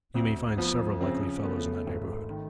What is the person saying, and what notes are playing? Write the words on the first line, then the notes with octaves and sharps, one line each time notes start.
You may find several likely fellows in that neighbourhood.'
D2 C4
F3 B3
C#3 C4
A3 B3
G#1
D#3